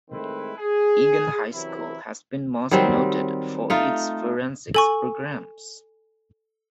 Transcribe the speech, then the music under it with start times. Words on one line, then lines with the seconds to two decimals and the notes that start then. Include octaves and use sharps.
Eagan High School has been most noted for its forensics programs.
0.11 D#3 G#3 A3 C4 E4 B4
0.58 G#4
1.52 F#2 C3 E3 F#3 E4
2.71 D#3 F#3 G3 C4
3.70 A3 D#4 F4
4.74 A4 G#5 C#6